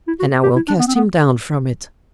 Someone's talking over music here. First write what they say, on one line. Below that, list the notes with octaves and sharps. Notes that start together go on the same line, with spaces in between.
"And I will cast him down from it."
E4
F#4
G4
E4
D4
B3
C4
B3